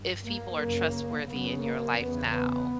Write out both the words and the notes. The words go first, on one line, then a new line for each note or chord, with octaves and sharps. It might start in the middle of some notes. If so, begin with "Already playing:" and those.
if people are trustworthy in your life now?
Already playing: G2
A#3
F#2 C#3
F#2 C#3 B3
A#3
E2 C#3 B3
B3